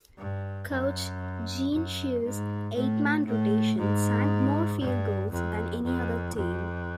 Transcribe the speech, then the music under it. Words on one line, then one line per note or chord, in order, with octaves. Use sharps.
Coach Gene Shue's eight-man rotation sank more field goals than any other team.
G2
F#2
F#2
G#2
A2
A2
G#2
G2
F2
F2
F2